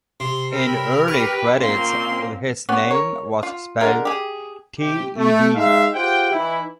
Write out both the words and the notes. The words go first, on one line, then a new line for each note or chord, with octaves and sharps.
In early credits, his name was spelled "T-E-D".
C3 C6
A#4 G5 B5 E6
G4 B4 C#6
A#2 A#3 C4 C#4 C6
B3 C#4 G4 C#5
A#4 C#5
F4
D3 G#3 A#4
G4 G#4
C3 G4
A3
G#3 D#4 E5 F5
F4 G4 G#4 C5 F#5 G5
E3 D#4 E4